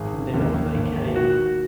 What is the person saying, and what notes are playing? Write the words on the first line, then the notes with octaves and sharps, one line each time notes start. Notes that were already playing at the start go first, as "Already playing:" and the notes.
Then off they came.
Already playing: G#1 G#4
C#3
D#2
D#2
G#1
D#3
F#4